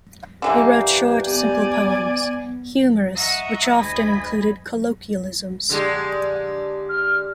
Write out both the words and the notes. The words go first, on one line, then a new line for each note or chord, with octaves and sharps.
He wrote short, simple poems, humorous, which often included colloquialisms.
D3 E3 A#3 G4 B4
B3 D5 G#5
D#5 E5 F#5 A#5 C#6 D#6
D2 D#5 G#5 B5
D3 G#3 G4
F6